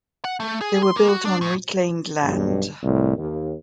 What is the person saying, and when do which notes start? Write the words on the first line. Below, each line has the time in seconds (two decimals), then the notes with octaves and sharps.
They were built on reclaimed land.
0.25 F#5
0.40 A3
0.61 G#4
0.83 C6
0.96 A#3
1.09 F#4
1.25 D4
1.41 A2
2.23 B1 G2
2.82 C2 A2
3.17 D#2